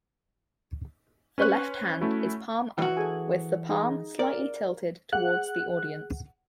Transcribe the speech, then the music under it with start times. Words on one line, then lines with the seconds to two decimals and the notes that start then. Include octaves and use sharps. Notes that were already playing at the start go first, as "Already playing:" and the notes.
The left hand is palm up with the palm slightly tilted towards the audience.
1.38 C#4 B4 C5 C#6 F#6
2.01 A3 C#4 E4 F#4
2.78 E3 F#4
2.97 G#4 A4 G#5
3.69 D#4 G#4 D#5
4.19 A#4 D5
5.13 G#4 F#5 F#6